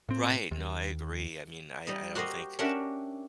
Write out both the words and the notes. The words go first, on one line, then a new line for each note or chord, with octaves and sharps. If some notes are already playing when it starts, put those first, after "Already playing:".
Right, no, I agree, I mean, I I don't think,
A2 C4
D#2
G3 D#4 D#5
F#4 G4 A#4 C5 D#5
C#4 D4 F#4 G4 A#4 E5